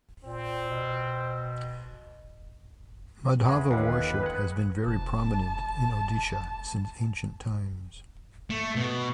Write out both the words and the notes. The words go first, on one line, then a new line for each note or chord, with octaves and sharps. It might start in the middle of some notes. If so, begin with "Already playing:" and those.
Madhava worship has been very prominent in Odisha since ancient times.
A#2 C4
B2
E2 G#3 B5
A1 D#2 D3 B4
G#3 F#5
F1 A5
A3
B2